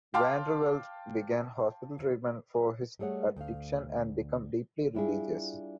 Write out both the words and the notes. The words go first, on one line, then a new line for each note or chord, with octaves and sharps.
Van der Velde began hospital treatment for his addiction and became deeply religious.
F5 G5 A5 C6 D6 F6
G3 A3 G#4 C#5 F#5
D2 F5
G3 D4 E4 F4 G#4